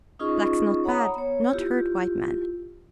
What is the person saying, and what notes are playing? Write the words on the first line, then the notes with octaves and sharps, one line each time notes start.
Blacks not bad, not hurt white man.
C#4 D#4 F4 G#4 D#5 C#6
C#5 F#5 A#5 B5 D#6
B3 C#5
E4 F4 G4